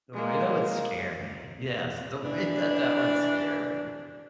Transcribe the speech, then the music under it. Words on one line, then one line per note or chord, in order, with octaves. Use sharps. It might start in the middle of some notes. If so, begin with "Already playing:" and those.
The way that would scare me, yes, the way that that would scare me.
G#3 A#3
E3 D4